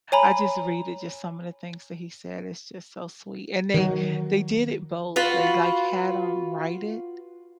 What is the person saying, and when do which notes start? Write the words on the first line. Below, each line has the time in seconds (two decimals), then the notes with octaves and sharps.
I just read it, just some of the things that he said, it's just so sweet and they they did it both. They, like, had him write it
0.12 C#5 G#5 A#5 B5
3.74 D#3 F#3
5.16 F4 F#4 B4